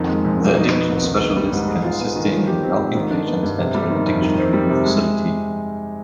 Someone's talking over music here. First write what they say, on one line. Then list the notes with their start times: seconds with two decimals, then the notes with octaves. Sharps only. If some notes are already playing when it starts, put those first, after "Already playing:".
The addiction specialist can assisting in helping patients enter an addiction treatment facility.
Already playing: F2 D#3
0.09 G#3
0.25 F2
0.41 B2
0.57 D#4
0.73 B3
0.89 C2
1.04 D#3
1.20 B3
1.37 G3
1.52 G#2
1.68 G#3
1.84 F4
2.00 B3
2.16 D#3
2.31 F3
2.47 G4
2.63 C4
2.79 G#2
2.95 D#3
3.11 D4
3.27 B3
3.43 G2
3.59 C3
3.74 G3
3.90 D#3
4.06 F2
4.22 D#3
4.38 C4
4.53 G3
4.69 C3
4.85 G#3